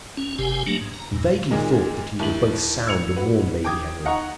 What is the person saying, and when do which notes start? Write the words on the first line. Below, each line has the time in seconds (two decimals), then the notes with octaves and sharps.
He vaguely thought that he would both sound and warn Lady Henry.
0.17 C#4
0.39 F#1 C3 G4 G#5
0.66 F#3 A3 A#3 D4
0.81 G#2
0.94 A#5
1.11 E2 A#2
1.51 A#2 D#3 G#3
2.19 D#2 E4 F#7
2.86 E6 G#6 C#7 F7
3.16 F#4 B4
3.64 G5 D6 D#6 G#6
4.05 D#5 F#5 A#5 C#6